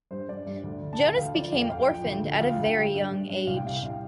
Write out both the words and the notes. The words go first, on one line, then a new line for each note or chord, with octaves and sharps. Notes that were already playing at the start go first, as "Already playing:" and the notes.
Jonas became orphaned at a very young age.
G2 C5
G2 D5
G2
D2
D2
A5
D2 G5
D2 F5
F3 D5
F2 F5
G5
F2 F5
G5
F3
G5
D2
D2
G5
F3 F5
F5
D2
G5
G3 G5
G2
G2
G2
C2 F5
G5
C3 F5
G5
C2 F5